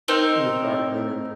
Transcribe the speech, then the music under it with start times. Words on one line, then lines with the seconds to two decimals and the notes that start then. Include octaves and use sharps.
With dark humor.
0.08 C4 D#4 A#4